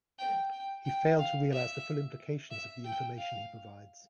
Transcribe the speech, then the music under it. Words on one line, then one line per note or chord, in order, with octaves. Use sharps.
He failed to realize the full implications of the information he provides.
G5
G5
G5
F5
E5
E5
G5
F5